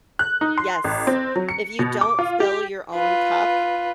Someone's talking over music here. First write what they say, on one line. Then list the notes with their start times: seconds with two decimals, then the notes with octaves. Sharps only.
Yes. If you don't fill your own cup
0.19 F#6
0.41 D#4
0.58 C6
0.84 A1
1.07 C4
1.36 F#3
1.49 C#7
1.79 B2
2.01 D6
2.19 F4
2.40 G4
2.95 F4 B4